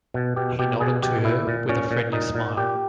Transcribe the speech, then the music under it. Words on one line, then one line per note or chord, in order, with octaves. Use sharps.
He nodded to her with a friendly smile.
B2
B2 G4
B2 G4
B2 G#4
B2 G4
A#2 E4
A#2
A#2 C#4
A#2
A#2 D#4
A#2
A#2 G4